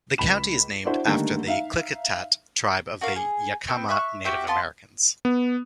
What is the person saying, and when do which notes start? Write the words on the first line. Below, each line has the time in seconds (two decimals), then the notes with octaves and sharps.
The county is named after the Klickitat tribe of the Yakama Native Americans.
0.18 C#2 B5 E7
0.85 D4 E4 F#4 C5
1.05 D3 D#3 G3 A3 A#3
1.46 D#4 E5 F5
3.01 F#4 A#4 F5
3.16 G#4
3.68 B3 C4
3.89 E5 C#6 F#6
4.24 F#4 G4 E5 F6
4.47 B3 F4 A5 C6
5.25 B3